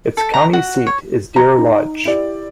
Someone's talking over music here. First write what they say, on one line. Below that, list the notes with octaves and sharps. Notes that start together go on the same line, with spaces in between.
Its county seat is Deer Lodge.
A4
A#5
F#4
C#5
A#5
D#4
E4 G4 D5